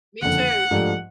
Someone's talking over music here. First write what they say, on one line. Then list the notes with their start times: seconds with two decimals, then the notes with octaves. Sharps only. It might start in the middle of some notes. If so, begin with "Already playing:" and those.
Me too.
0.22 F#1 F2 D3 F#5
0.71 G#2 F3 A3 D4 G4